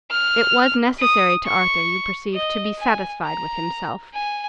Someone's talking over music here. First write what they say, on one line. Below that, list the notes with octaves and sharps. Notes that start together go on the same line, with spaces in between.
It was necessary to Arthur, you perceive, to be satisfied with himself.
F6
D#6
C#6
D#5
G#5
A#5
G#5